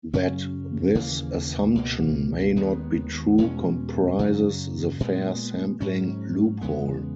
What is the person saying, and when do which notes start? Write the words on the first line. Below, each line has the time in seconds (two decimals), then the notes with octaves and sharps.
That this assumption may not be true comprises the fair sampling loophole.
0.13 F#2 C#3 F#3 C#4
0.95 D#2 C#3 E3 A#3
1.75 C#2 B2 A#3
2.56 D#2 D#3 G#3 B3
3.38 E2 B2 G#3 C#4
4.19 F#2 C#3 F#3
5.00 A#2 G#3 B3
5.80 G#2 F#3 C#4
6.61 E2 C#3 G#3 B3